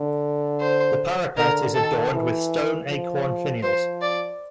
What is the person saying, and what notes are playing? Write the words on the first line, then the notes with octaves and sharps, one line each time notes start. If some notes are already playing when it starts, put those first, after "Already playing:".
The parapet is adorned with stone acorn finials.
Already playing: D3
C5
D3 A#4
D#3 A4
E3
F3
F3 C5
D5